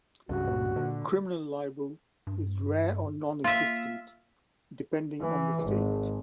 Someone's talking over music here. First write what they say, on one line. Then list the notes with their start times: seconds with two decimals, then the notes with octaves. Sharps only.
Criminal libel is rare or nonexistent, depending on the state.
0.29 C#2 G2 C#3 F#4
0.47 A#2
0.76 A#2 D3
2.27 G2
3.44 A#3 F4 E5
5.21 E3
5.64 G#1